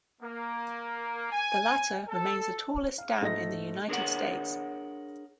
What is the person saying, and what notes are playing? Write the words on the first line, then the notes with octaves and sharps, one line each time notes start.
The latter remains the tallest dam in the United States.
A#3
G#5
A4
F5
G#2 A3 D#5 A#6
D4 G#4 A#4 C5 C#5 F#5